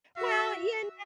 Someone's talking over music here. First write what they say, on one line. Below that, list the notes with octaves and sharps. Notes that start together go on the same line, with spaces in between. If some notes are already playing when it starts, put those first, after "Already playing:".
Well, you
F#4 E5